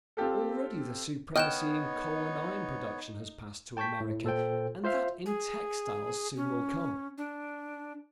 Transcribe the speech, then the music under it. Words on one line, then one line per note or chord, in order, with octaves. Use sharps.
Already the supremacy in coal and iron production has passed to America, and that in textiles soon will come.
C4 F4 G4 A4
B3 D#4 C#5 D#5 G5 F6 F#6 E7
G5 A5 C#6 G6 B6
A2
A#2 A4 C5 G5
F4 C5 E5 F5
G#4
C#4
D4